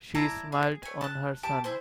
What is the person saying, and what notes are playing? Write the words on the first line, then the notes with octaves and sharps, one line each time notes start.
She smiled on her son.
E4 D5 A5 A#5
G#4
A3 G#5
A5 F#6
G4 A5 D6
E4 G#4 C5